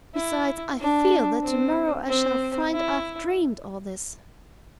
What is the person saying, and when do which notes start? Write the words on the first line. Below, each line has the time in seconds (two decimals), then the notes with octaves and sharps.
"Besides, I feel that to-morrow I shall find I've dreamed--all this."
0.14 E4
0.80 D4
1.43 C4
2.08 C4
2.72 E4